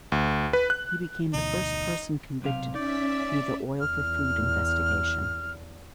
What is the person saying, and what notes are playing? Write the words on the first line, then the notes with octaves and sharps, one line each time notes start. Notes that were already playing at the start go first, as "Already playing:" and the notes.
He became the first person convicted through the oil-for-food investigation.
D2
B4
F#6
D2 B2 E3 D#4
B1 C3 F5
C#4 D#4 D5 E5 B6
E2 F6